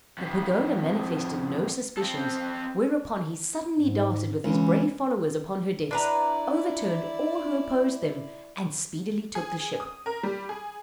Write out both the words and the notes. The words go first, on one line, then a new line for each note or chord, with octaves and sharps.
The Pagoda manifested no suspicions, whereupon he suddenly darted with his brave followers upon her decks, overturned all who opposed them, and speedily took the ship.
F2 A2
C4 A4
G#2
C#2 E3
D4 E4 B4 D5 A#5
G#4
D#6
A#4
G3
G#4